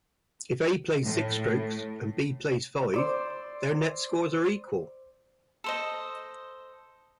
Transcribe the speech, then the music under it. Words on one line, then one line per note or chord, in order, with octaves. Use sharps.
If A plays six strokes and B plays five, their "net" scores are equal.
A2
C5 D5 E6
A4 C5 D#5